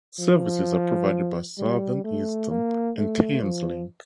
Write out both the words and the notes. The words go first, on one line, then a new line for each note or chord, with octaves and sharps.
Services are provided by Southeastern, and Thameslink.
F3
G3
A3
A#3
A3
F3